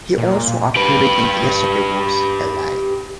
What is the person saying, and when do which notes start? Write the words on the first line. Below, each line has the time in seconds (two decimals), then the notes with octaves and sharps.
He also appeared in "Yesterday Was a Lie".
0.18 A#2
0.76 G4 B4